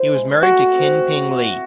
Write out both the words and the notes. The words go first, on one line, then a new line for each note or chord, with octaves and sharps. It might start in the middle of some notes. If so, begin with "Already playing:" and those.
He was married to Kin Ping Lee.
Already playing: E4 C5
G#3
A3 F#4
C4
A3
A3